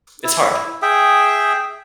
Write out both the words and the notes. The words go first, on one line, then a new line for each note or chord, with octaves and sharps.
it's hard.
E4
G#4 E5 G5